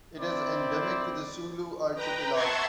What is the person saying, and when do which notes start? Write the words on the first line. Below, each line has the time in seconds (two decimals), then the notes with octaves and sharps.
It is endemic to the Sulu Archipelago.
0.18 C4 E4 C5 D5
1.95 B4 G5 A#5
2.33 E5 F#5 A5 C6 C#6 G#6